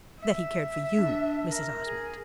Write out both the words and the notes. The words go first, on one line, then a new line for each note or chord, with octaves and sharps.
"That he cared for you, Mrs. Osmond."
E5
D4
A#4
G#4